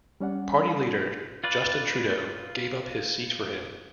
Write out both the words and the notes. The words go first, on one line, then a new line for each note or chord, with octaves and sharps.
Party Leader Justin Trudeau gave up his seat for him.
G3 C#4 D5 F#5
F4 B4 D5